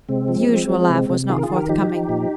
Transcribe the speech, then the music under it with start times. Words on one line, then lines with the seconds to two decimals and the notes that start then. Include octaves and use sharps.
The usual laugh was not forthcoming.
0.09 C3 G#3 C4
0.28 F3
0.49 F3
0.69 F3
0.90 C3
1.09 C3
1.29 D#3 F4 G#4
1.38 A#4
1.43 F4 G#4
1.50 D#3
1.56 G4 A#4
1.69 F3 D#4 G4
1.90 F3
2.09 A#2